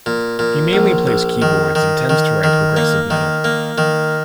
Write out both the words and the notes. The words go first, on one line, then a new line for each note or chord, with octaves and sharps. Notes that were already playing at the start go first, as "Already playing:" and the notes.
He mainly plays keyboards and tends to write progressive metal.
A#2
A#2
A#1
A#1
D#3
D#3
D#3
D#3
A#3
D#3
A#3
D#3